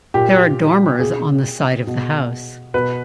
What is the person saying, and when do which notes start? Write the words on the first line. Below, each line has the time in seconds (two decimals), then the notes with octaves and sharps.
There are dormers on the side of the house.
0.14 A#2 G4
1.00 B2 G#4
1.87 B2
2.74 B2 B4